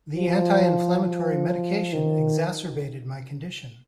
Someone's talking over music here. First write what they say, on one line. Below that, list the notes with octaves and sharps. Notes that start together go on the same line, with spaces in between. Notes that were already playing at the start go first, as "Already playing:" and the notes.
The anti-inflammatory medication exacerbated my condition.
F3
F3
D#3